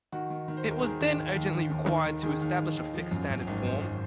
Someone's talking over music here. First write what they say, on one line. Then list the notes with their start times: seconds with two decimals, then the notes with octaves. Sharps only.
It was then urgently required to establish a fixed standard form.
0.12 D#3 F#4
0.30 D#3
0.48 D#3
0.57 C5
0.65 D#2
0.71 A#4
0.82 D#3 G#4
1.01 D#2
1.18 D#2
1.36 D#2
1.53 D#2
1.71 D#2
1.88 D#3
2.06 D#3
2.23 D#3 G#4
2.41 D#2
2.59 D#2
2.76 D#2
2.94 F3
3.11 F#2
3.29 F#2
3.47 G#1
3.64 F#2 C5
3.81 G#1